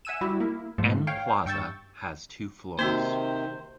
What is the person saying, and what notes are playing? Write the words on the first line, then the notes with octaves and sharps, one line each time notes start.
N Plaza has two floors.
E5 F#5 G#5 E6 D#7 E7
G3 E4 F#4 G4
A#3 E4
G#2 F3 A3
C#5 F5 G5
G2 G5 C#6 E6 G6 A6
C3 D#3 A#3 D#4 F#4 C5